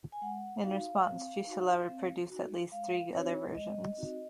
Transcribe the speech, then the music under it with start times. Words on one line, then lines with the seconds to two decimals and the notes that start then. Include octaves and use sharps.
In response, Fuseli produced at least three other versions.
0.12 G#5
0.22 G#3 F#5
0.63 D#4 F#4 F5
1.05 C4
1.46 D#4 F#4
1.89 C4
2.30 D#4 F#4
2.72 G#3 F5
3.13 C4 D#4 F#4 C#5
3.55 G#3 D#5
3.97 C4 D#4 F#4